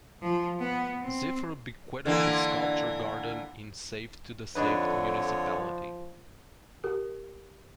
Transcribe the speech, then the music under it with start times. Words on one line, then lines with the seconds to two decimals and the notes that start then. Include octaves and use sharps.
Ziffer bequeathed his sculpture garden in Safed to the Safed Municipality.
0.22 F3
0.60 B3
1.01 C4
2.06 D3 E3 A#3
4.55 F2 D3 F3 D4 D#4 B4 C#5
6.84 G4 A#4